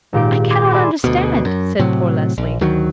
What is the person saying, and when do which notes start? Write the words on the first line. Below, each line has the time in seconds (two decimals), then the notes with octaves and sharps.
"I cannot understand," said poor Leslie.
0.13 G#1 A#2 G4 D7
0.50 C6 D6 D#6 G#6 A#6 C7
0.71 D5 E5 G#5 B5 C6 D6
1.04 D2 B2
1.45 F#2
1.79 A2 C3 F#3
2.38 A#1
2.61 D2 D#3 F#3